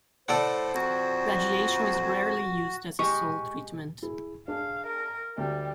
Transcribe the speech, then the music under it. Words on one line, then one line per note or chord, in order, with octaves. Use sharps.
Radiation is rarely used as a sole treatment.
A2 A4 C5 D5 F#5
F2 F#4
G#3 G4 D#5 C#6
E4 G#4
D4 G#4 F5
A#4
D2 G3